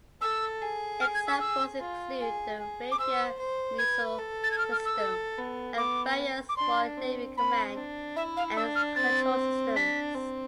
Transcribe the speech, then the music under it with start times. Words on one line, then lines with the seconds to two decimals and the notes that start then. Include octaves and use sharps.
Examples include the Rapier missile system, and various Royal Navy Command and Control Systems.
0.21 A4 E6
0.62 G#4
1.01 F6
1.15 G#6
1.27 E6
1.40 E6
1.80 F4
2.21 G#4
2.59 G#4
2.92 D6
2.99 C5 E6
3.40 C5
3.78 B4 G#6
4.19 A4
4.44 A6
4.51 G#6
4.58 F6
4.71 F6
4.85 E6
4.98 A4
5.38 B3
5.77 B3 D6
6.49 D6
6.57 D4 C6
6.97 C4
7.37 C4 B5
7.76 D4
8.16 E4 E5
8.37 F5
8.57 D4 E6
8.75 F6
8.96 C4 A6
9.76 D4 B6
10.15 C4